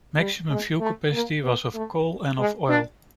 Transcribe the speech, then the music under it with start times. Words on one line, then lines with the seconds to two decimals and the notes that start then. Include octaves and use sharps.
Maximum fuel capacity was of coal and of oil.
0.18 G3
0.50 G#3
0.81 A3
1.13 A#3
1.44 B3
1.75 A3
2.38 G#3
2.69 D4